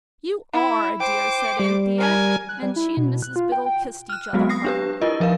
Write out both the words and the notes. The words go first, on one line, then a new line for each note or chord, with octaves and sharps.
'You ARE a dear,' said Anthea, and she and Mrs Biddle kissed each other heartily.
E4
C5 G5 D6
G3
A#4 G#5
F#6
G3
E4
B2
F#6
F4
G5
G5
F6 F#6
F#3 G#3 B3 C4 F#4
D#6 A#6 C7
D4 G4 B4
E4 F4 A#4 D#5
F3 A#4 B4 F5